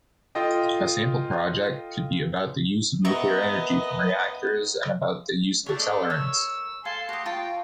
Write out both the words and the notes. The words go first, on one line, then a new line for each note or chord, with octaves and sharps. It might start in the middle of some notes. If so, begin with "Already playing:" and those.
A sample project could be about the use of nuclear energy from reactors and about the use of accelerants.
F4 A4 D#5 G5
B3 A#4 D#5 E5 C#6
A3 D4 C#5 A5
A4 D#5 E5
A#4 C#5 E6
A4 F5 G#5 C6
F#4 G4 D#6
F4 G5 A5 C#6